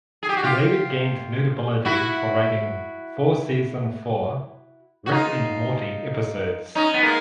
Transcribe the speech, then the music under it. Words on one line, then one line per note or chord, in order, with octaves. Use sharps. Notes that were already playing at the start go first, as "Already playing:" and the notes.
He later gained notability for writing four season four "Rick and Morty" episodes.
G#4
G4
F#4
F4 G4
E4 F#4
F#4
D#4 F4
C#4 D#4
B3
G#3 A#3